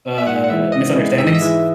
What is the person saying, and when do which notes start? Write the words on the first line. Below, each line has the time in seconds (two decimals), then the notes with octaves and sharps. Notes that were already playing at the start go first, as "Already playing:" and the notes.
uh, misunderstandings?
0.18 E5
0.27 G#2 F#5
0.44 F#5
0.50 E3 G#3 E5
0.72 G#2 D#5
0.95 E3 G#3
1.18 G#2 E5
1.27 D#5
1.35 E5
1.41 E3 G#3